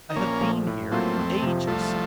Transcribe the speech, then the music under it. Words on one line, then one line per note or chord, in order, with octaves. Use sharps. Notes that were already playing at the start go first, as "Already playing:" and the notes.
'I have been here--ages!
D#4
A#1 A#3 C#4
A#2 F3 A3
A2
F#3 A3 A#3 C4 F4
F2
C3 F3
C2 F3 A3